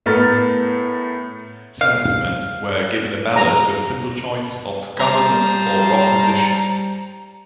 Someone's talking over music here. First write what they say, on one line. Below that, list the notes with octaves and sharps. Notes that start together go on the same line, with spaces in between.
Servicemen were given a ballot with the simple choice of "Government" or "Opposition".
A2 A3 B3 A#4 F6 A6
F5
A#5
G3 C5 A5 A#5